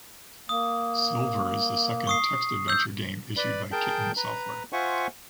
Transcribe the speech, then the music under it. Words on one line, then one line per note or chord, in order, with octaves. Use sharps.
Silver is the second text adventure game issued by Kitten Software.
A#3 D#6
C#6 D#6 C7
E6 G6
B4 D5 B5
G#4 A#4 G5 A5 G6
B4 A#5
F4 C5 E5 F#5 G#5 C#6